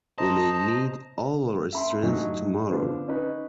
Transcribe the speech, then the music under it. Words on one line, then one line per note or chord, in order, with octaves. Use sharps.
We may need all our strength tomorrow.
C5 D#5 A5 A#5
E5 B5 C6
A1 F#2 F#3 C#4 D#4
D3 F3 B3 D4
C#4 D#4 B4